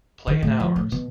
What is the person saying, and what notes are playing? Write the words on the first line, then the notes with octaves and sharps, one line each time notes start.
Play in ours.
D#3
A2
F3
A2
B2